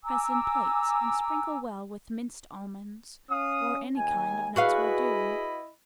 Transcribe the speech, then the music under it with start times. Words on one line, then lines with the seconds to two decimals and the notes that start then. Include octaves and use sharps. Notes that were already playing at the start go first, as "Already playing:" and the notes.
Press in plates and sprinkle well with minced almonds, or any kind of nuts will do.
0.04 G#5 A#5 D6 E6
3.30 C#4 F5 D#6
3.97 D#2 G#5
4.56 E4 F#4 G#4 B4 D#5 F5 B5